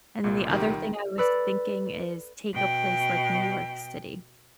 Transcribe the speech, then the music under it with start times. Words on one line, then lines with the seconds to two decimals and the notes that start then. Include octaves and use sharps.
And then the other thing I was thinking is, take a place like New York City-
0.24 C2 A#2
0.50 D#3 G3
1.18 A4 B4 D5
2.53 B2 G5